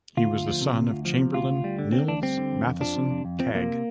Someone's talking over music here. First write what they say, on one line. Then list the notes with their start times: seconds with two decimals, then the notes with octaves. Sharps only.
He was the son of Chamberlain Nils Mathisson Kagg.
0.17 D2 F4
0.32 D2
0.47 F3
0.61 C3
0.76 D2
0.90 D2
1.05 F3
1.19 C3
1.34 D2 F4
1.49 D2
1.64 G3
1.79 D3
1.93 D2 C4
2.08 D2 D4
2.22 G3 C4
2.38 D3
2.51 F2
2.66 F2
2.81 F3 D4
2.96 C3
3.11 F2
3.25 F2
3.39 F3 C4
3.55 C3 A#3